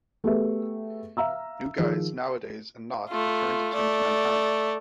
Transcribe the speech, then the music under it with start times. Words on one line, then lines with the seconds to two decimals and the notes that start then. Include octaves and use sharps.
New Guise, Nowadays and Nought return to tempt Mankind.
0.24 A3 B3 G4 G#4 B4 E5
1.17 E5 F5 A#5 E6
1.79 D#3 F3 G#4
3.09 A3 F4
3.75 A3 D5